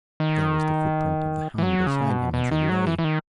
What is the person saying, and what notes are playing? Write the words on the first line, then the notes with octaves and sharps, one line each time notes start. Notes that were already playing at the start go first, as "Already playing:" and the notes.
There was the footprint of the hound beside him as he lay.
D#3
E3
F#3
C#3
B2
B2
D#3
F#3
E3
E3
D#3